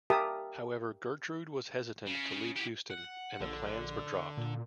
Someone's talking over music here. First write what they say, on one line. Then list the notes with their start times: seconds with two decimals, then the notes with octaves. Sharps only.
However, Gertrude was hesitant to leave Houston, and the plans were dropped.
0.10 G4 A#4 E5 A5 D#6
2.06 C#3
2.56 E4 G4
2.90 F#5
3.40 A#1 D3
4.37 A#2